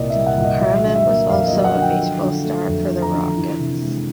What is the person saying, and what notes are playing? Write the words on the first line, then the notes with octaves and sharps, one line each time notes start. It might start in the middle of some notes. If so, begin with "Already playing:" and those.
Harmon was also a baseball star for the Rockets.
Already playing: C2 A#2 G3 A#3 D5 D#5
E5
G3
F#5
A#2
D#5
F#3 E5
D3
E5
A#3
F2 F5
D#5
F#3
F#5
D3
G5
F3
D3
A3
F2
F3
A#5
D3
E3
C3
G#3